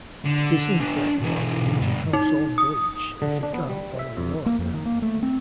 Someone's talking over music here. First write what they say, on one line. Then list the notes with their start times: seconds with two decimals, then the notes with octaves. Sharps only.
Disinfect water using household bleach, if you can’t boil water.
0.24 D3
0.80 B3 D4
1.21 B1 E3
1.82 G2 B3
2.13 D#4
2.58 D#6
3.22 D3
3.43 D4
3.54 B3
3.69 G3
3.99 E5
4.17 F2
4.46 A#3
4.59 F2
4.74 D#3
4.86 A#3
5.02 A3
5.23 C4